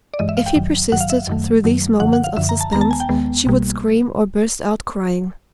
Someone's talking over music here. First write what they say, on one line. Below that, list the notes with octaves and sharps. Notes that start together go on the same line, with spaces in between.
If he persisted, through these moments of suspense, she would scream or burst out crying.
D5
G2 E3 G#3 D#5
E5
F5
G5
A1 G2 D#3 F#3
A1 G2 D#3 F#3 F#5
F5
E5
F#2 D#3 F#3 A3
F#2 D#3 F#3 A3
F#2 D3 F3 F#5
F#5
F5
F#2 D3 F3 E5
A#5
A5
D#2 D#3 G#3 B3 A#5
A5
G#5
G5
D#2 D#3 G#3 B3
B1 B2 G3 A#3